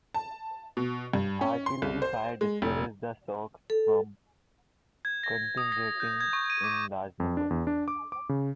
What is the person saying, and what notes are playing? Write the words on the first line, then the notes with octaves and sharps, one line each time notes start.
Artillery fire discouraged the Sioux from congregating in large numbers.
A5
B2
G2
C#4
C6
C2
C5
G#3
F1
A4
G#6
A#6
D#6
A#6
G6
G#6
C#6
D#7
D6
F2
D4
E2
D4
D6
D6
C#3